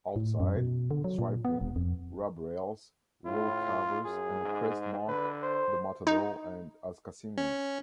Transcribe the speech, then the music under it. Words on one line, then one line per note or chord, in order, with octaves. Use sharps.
Outside, striping, rub rails, wheel covers and a crest mark the Matador as Cassini's.
A2
F#2
B2
D3
F#3
A#2
B3
D#1
F2
A2 F4
F#2 G#4
G#2
D3 B4
C5
D#4
C#4